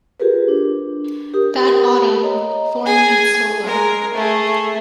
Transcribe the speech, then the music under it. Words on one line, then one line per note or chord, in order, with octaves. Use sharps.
That autumn, Thorn went solo.
F4 G4 G#4 A#4 B4
D4
G4 A#4 D#6
C#5 D#5 A#5
G#4 G#5
G#3 A#4
A3 G#4